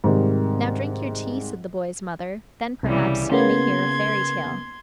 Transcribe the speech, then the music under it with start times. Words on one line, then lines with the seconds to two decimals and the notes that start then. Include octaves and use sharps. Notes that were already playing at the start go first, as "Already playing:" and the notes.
"Now drink your tea," said the boy's mother; "then, perhaps, you may hear a fairy tale."
0.04 G#2 C3 D#3 G3
2.83 C2 C#3 E3 G3
3.32 C#3 A#3 B3 C6 G#6